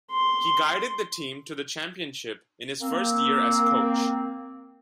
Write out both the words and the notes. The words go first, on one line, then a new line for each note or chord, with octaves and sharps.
He guided the team to the championship in his first year as coach.
C6
A#3 C4